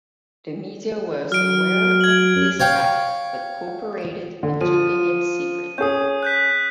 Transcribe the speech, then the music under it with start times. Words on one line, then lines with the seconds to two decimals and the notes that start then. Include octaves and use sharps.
The media was aware of this fact but cooperated in keeping it secret.
1.32 F#3 F6 D7
2.01 G#6 F#7
2.36 F#2
2.60 C#5 F5 G5
4.43 D3
4.61 F3 D#7
5.78 C#4 G#4 D#6 G6
6.23 F#6 G6 B6